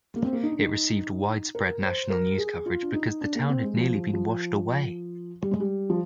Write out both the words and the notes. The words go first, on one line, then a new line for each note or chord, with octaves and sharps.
It received widespread national news coverage because the town had nearly been washed away.
A#3
C4
A#3
D#4
D4
D#4
A#4
C5
A#4
G#4
F4
D4
D#4
D4
A#3
C4
G#3
F3
F3
F3
G3
G#3
G3
F3